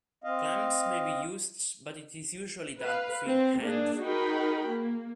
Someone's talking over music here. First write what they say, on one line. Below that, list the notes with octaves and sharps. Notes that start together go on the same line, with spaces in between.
Clamps may be used but it is usually done freehand.
C4 D#5 F5
B4 F5
C4 C5
A#3 D4 G#4
D#4 F#4 G#4 A#4 G5 B5
A#3